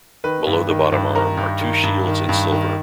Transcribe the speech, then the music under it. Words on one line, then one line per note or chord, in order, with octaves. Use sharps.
Below the bottom arm are two shields in silver.
D#3 B4
G2
D#3
G2
D#3 A#4
G2
D#3
G2
D#3
G2
D#3